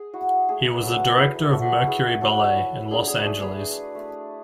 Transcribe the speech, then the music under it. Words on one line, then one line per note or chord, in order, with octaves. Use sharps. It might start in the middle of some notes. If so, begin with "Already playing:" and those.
He was the director of Mercury Ballet, in Los Angeles.
Already playing: G#4
E4 F#4
A3 G#4
B4
F#3 F#4 A4
E4 G#4 B4
F#3 F#4 A4
E4 G#4
F#3 F#4 A4
E4
D4 G#4
G#4
A3 G#4
G#4 B4
D4
A3